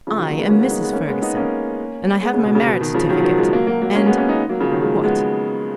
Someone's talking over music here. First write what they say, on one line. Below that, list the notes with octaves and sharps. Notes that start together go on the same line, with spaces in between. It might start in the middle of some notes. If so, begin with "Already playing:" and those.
I am Mrs. Ferguson, and I have my marriage certificate, and--What!
C#3 F3
D#3 F#3
F#3 A#3
G#3 B3
A#3 C#4
G#3 B3
B3 D#4
G#3 B3
A#3 C#4
G#3 B3
B3 D#4
A#3 C#4
G#3 B3
C#3
B2
C#3
B2
B2 D#3
C#3 F3
D#3 F#3
F3
D#3 F#3
F3 G#3
F#3 A#3
F#3 A#3
F#3 A#3
A#3 C#4
G#3 B3
A#3 C#4
B3 D#4
F#3 A#3
C#3 F3
D#3 F#3
F3 G#3
G#3 B3